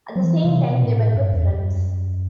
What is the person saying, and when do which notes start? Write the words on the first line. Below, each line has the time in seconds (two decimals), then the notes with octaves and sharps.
At the same time, they were good friends.
0.16 F#3
0.24 E3
0.44 C3
0.64 B2
0.83 A2
1.14 G2
1.33 E2
1.44 F#2